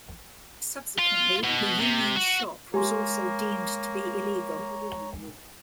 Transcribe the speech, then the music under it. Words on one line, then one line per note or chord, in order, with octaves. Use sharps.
Subsequently, the Union Shop was also deemed to be illegal.
F4
B2
C3
F#4
G#3 A#3 G4 C#5 G#5 A#5 C6